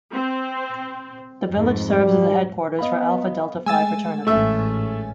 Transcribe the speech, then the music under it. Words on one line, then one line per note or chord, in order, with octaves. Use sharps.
The village serves as the headquarters for Alpha Delta Phi fraternity.
C4
F2 G#2
G3
B3 D#5 F5 B5
G#3 A3 G#5 E6 A6
A1 G#2 A3 C#4 E5